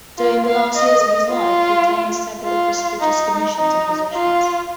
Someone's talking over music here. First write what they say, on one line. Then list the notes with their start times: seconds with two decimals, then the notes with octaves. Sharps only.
During the last years of his life he attained several prestigious commissions and positions.
0.18 F4
0.47 F5
0.75 D#5
1.32 F4
2.44 F4
3.01 D#4
3.56 D#4
4.13 F4